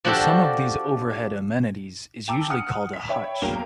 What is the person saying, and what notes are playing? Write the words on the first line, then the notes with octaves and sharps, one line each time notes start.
The sum of these overhead amenities is usually called a hutch.
F3 D4 F#4 G4 A4
G5 A5 A#5 D6 E6
F#5 D#6 F6 C#7
B6
C#5 E5 G5 B5
E2 F#3 A#3 A#4 G5 F7